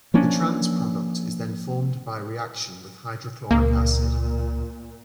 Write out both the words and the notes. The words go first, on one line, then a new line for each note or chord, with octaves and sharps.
The trans product is then formed by reaction with hydrochloric acid.
F3 A#3 C#4 D4
C#2 A#2 A#3